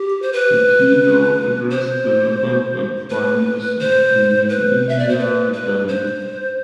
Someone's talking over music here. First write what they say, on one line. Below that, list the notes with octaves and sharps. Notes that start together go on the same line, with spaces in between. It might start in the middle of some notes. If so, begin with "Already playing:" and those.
The keynote address delivered by Prime Minister of India Indira Gandhi.
Already playing: G4
C5
B4
C5
B4
C5
B4
E5
D5
C5
B4
B4
C5